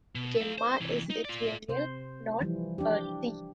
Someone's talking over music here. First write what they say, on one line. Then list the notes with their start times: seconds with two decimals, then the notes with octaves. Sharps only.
Gemma is ethereal, not earthy.
0.15 B2
0.37 A4 F5
0.58 C5
0.81 C3 E3
1.10 D#4
1.25 F4 D5
1.69 C3 C5
2.40 E3 F3 G3
2.78 D4 G4